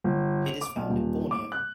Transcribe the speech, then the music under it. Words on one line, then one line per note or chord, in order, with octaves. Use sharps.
It is found in Borneo.
G1
F7
D6
B1
D#1
D6
F#6